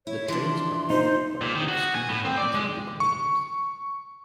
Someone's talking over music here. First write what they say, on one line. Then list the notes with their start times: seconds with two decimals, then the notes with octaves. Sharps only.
The trains are pulled by both steam and diesel locomotives.
0.07 E4 C#5
0.28 E3 F3 D4 C6
0.90 D#4 C5
1.41 A#2
1.55 D#3
1.69 F#4
1.95 G#5
2.09 A2
2.25 C4
2.37 D5
2.54 G#3
3.00 C#6